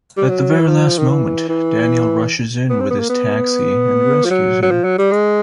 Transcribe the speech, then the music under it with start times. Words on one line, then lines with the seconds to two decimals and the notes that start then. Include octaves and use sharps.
At the very last moment, Daniel rushes in with his taxi and rescues him.
0.17 G3
0.29 F#3
0.60 E3
0.69 F3
0.99 D#3
1.09 E3
1.49 E3
2.70 B3
2.80 C4
2.90 B3
3.00 A#3
3.09 B3
4.25 F3
4.31 F#3
4.63 F#3
4.71 F3
4.84 F#3
4.98 G3
5.11 G#3